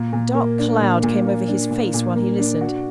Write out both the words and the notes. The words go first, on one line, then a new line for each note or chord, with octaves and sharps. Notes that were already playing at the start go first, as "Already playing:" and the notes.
A dark cloud came over his face while he listened.
Already playing: A#2
A#2
A#3
D4
A#2
A#2
A#3
D4
A#2
A#2
A#3
D4
F#4